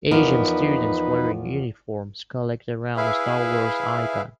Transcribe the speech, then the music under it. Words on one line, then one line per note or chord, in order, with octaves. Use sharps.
Asian students wearing uniforms collect around a Star Wars icon.
E2 F3 D#4 A#4 B4
E4 G#4 B4 E5 F5